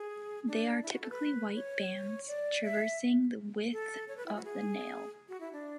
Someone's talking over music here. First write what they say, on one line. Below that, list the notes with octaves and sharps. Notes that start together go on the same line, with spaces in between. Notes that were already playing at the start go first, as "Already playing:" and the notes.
They are typically white bands traversing the width of the nail.
Already playing: G#4
D4
E4
F#4
A4
B4
C#5
D5
E5
A4
C#5
B4
E4
F#4
G#4
F#4
E4
D4